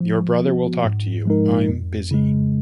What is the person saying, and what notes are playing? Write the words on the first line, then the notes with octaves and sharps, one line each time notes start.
Your brother will talk to you; I'm busy.
F3
B3 F#4
G#2
F3 G#3 D#4 A#4
F2
C#3 G#3